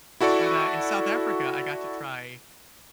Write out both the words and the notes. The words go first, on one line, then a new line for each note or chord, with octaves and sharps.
But, uh, in South Africa, I got to try
E4 F#4 A4 D5 C#6